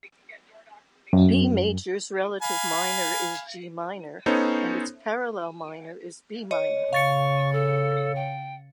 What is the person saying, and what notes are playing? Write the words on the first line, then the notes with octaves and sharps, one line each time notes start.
B major's relative minor is G minor, and its parallel minor is B minor.
F#2
F5 G#5 B5
B3 C#4 D#4 A4 C5 C#5
C#5 D#5
C#3 F5 C#6 A6 C#7
A4
G5